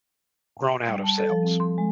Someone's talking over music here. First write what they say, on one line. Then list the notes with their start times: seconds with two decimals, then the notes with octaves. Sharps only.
grown out of sales.
0.89 G3
1.03 A5
1.18 A4
1.30 F3
1.43 C4
1.60 C6
1.78 G#3